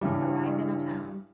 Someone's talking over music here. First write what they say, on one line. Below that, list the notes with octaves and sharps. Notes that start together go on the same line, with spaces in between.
Arrive in a town.
G2 C#3 E3 G3